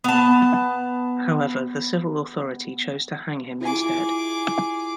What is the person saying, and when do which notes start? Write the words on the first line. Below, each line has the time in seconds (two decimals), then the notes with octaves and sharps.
However, the civil authority chose to hang him instead.
0.04 B3 A5
3.61 E4 F4 G#4 G#5 D6